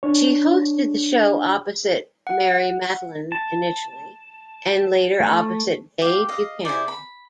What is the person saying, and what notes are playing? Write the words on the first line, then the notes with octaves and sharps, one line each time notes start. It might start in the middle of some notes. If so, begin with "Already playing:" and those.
She hosted the show opposite Mary Matalin initially, and later opposite Bay Buchanan.
D4 C#5
F#5
A5
A3
G4 F5
D#5 F5
E4 G#4 C5 D5
B5